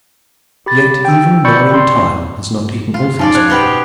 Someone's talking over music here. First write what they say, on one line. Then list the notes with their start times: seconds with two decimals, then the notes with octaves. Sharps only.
And yet even gnawing Time has not eaten all things away.
0.66 G4 B5 A6
1.05 G5 E6
1.45 D5 B5 C#6 E6 G6 C#7
1.71 C4 C6
2.94 F4
3.19 C#3 D#4 F4 D5
3.35 C5 C#5
3.50 B2 B3 G4